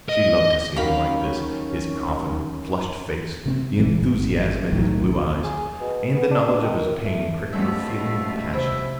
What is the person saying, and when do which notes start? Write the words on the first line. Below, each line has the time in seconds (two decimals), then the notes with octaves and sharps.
She loved to see him like this, his confident, flushed face, the enthusiasm in his blue eyes; and the knowledge of his pain pricked her feeling with passion.
0.09 D#5
0.76 F#2 D#3 C#4 F#4 G4 A#4 F5 B5
3.46 C3 B3 C4
3.79 F1 A#2 E3
4.01 G#1
4.72 B1 A2 D#3 F#3
5.44 G#4
5.80 B2
6.14 B3
6.31 D4
6.62 D#3
6.85 F#2
7.05 A3
7.53 B2 F3 G3 A3 C4 C#4 A4 E5
8.53 C3 E4 C5 E5